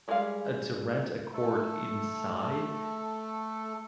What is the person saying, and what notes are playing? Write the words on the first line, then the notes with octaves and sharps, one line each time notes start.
uh, to rent a court inside
G3 G#3 G#4 A#4 F5
A3 A4